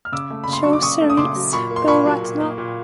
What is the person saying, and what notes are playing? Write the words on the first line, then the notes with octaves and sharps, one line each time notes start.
Joe series, Bill Ratner.
F6
C#3 D6 E6
A3
C#3 B5
C6
F#3 C#6
D6
C#3 C#6 D#6
A3
D#6
C#3 C6 D6
F#3
A#2 B5 C#6
A#3
C6
A#2 B5 C#6
F#3
A#2
A#3
A#2